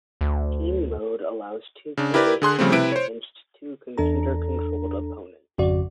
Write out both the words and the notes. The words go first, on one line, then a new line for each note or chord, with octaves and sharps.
Team mode allows two players to face against two computer-controlled opponents.
D2
C#3 D4
E4 G4 A#4 B4 D5
D3 G#4 C6 F#6
C#3 F3 G3 A3 C4
C3 E4 B4 D7
C5 C#5
E2 D4 A4 A#5
G#1 F2 C#3 F#4 D5